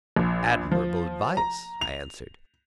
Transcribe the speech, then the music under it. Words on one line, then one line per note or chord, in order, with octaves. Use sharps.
"Admirable advice," I answered.
A#1
F3
A#5
F7